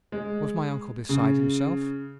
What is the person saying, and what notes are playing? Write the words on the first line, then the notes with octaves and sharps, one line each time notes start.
Was my uncle beside himself?
G#3
C#3